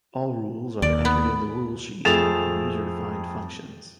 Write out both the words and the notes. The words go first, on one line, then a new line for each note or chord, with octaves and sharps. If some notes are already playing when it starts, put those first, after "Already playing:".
All rules are entered in the Rule Sheet or in user-defined functions.
D#2 D5
B3
F2 A3 G#4 A6 E7 F7